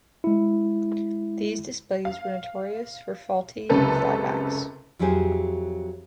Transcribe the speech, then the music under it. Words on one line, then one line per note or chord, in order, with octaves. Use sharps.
These displays were notorious for faulty flybacks.
G#3 E4
F5
F#1 C#2 C3 C#4 A4 B4
F2 F#3 E4 G4 G#4 C5